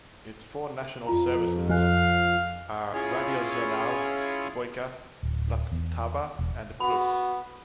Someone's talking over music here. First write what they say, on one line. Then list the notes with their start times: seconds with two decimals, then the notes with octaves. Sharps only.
Its four national services are Radiožurnál, Dvojka, Vltava and Plus.
1.07 F2 F4 A#5
1.69 F3 D#5 F5 G#5 F#6
2.93 C#4 E4 F4 G#4 C#5
5.23 D1
5.72 E2
6.39 E1
6.80 B3 F#4 B5